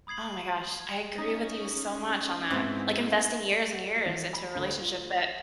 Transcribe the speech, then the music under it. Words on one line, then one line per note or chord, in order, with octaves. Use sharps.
Oh my gosh, I agree with you so much on that, like, investing years and years into a relationship, that
B5 D#6 G#6 C7 F#7
C#4 D#4
G#2 B3 C4 E4
F#5
E3
B5
D2
F4
A6